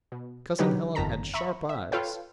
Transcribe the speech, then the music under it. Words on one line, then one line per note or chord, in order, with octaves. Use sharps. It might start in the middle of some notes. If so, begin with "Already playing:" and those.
Cousin Helen had sharp eyes.
B2
D3 F#3 D#4 G4 B4 C#5
G1 F2 D#3 A5 A#5 B6
E5 A#5 B5 C#6
E5
F4 A4 B4 C#5 F5 G5